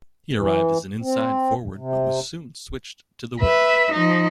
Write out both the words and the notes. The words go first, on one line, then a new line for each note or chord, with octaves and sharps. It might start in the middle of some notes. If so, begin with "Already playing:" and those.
He arrived as an inside forward but was soon switched to the wing.
E3
C4
C3
B4 E5
F3 D#4